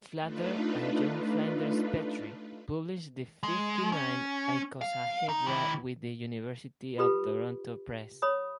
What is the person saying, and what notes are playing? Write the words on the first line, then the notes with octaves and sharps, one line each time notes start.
Flather, and John Flinders Petrie published The Fifty-Nine Icosahedra with University of Toronto Press.
A3 D4 D#4 F4 B4
G#3
C#4
F5
D#4
D#3 E4
F4 G4 A4 B4 B5
C#5 B5 D#6